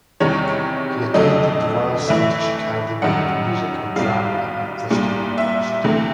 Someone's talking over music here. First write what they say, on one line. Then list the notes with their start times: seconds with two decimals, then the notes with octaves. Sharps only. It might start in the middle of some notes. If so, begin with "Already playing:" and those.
He attended the Royal Scottish Academy of Music and Drama and Bristol University.
0.20 E2 C3 D#3 G3 C#5
1.14 F2 D3 F#3 A3 D#5
2.08 A2 E3 A3 E5
3.02 F#2 D#3 G3 F#5
3.96 C2 B2 G3 F5
4.90 C2 A#2 G3
5.38 E5
5.84 D2 C3 E3 A3